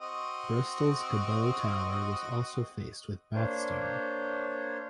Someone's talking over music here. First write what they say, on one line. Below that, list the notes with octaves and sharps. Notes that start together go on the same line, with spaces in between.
Bristol's Cabot Tower was also faced with Bath Stone.
C4 F#4 D#5
A#3 D4 C5 C#5